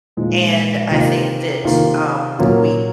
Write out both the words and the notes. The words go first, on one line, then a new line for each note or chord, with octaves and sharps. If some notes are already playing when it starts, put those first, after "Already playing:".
and I think that, um, we
A#2 F3 G#3 D#4
C3 D#3 A#3 F4
C3 D#3 A#3 F4
A#2 F#3 A#3 C#4 F4